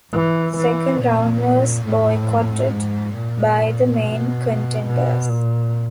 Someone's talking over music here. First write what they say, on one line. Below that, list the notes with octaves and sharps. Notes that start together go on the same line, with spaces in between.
The second round was boycotted by the main contenders.
E3
E3
A#2
A2
G#2
A#2
B2
B2
A#2